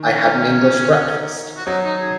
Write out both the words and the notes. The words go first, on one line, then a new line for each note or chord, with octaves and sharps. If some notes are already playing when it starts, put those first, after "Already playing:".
I had an English breakfast.
Already playing: D#3
C#4
F#4
F#3 D#4
D#4
G#4